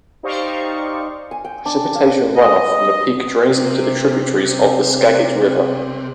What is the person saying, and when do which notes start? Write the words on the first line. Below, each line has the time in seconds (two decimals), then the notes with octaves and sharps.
Precipitation runoff from the peak drains into tributaries of the Skagit River.
0.23 D#4 G4 C5 D5 F5 C#6
1.31 G#5
1.44 G5
1.66 D4
1.95 F5
2.35 D#5
3.50 C3 C5